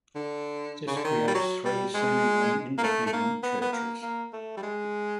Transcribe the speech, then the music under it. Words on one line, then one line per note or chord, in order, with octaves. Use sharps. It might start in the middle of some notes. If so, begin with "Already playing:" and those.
This creates three seemingly independent churches.
D3
C#3
D3
D#3
G3
F#3
G3
G#3
A#3
A3
A3
A#3
B3
B3
A#3
A#3
A3
G3
G#3